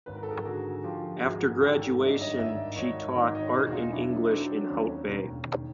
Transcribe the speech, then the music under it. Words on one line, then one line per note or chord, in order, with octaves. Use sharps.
After graduation she taught art and English in Hout Bay.
G#1 B4
A#4
A4
G#4 A#4
D3 F#4 G#4
F3 F4 G4
G#1 F#4 G#4
G#1 G4 A4
G2 E5
D#5
D5
C#5 D#5
G#1 D5 E5
G#1 C#5 D#5
D#3 C#5 D#5
C#5 D#5
E1 G#4 A#4
F#4
D#4 F4
F#3 D4 E4
D#4
F#3 C4 D4
D#2 C#4
E1
D#3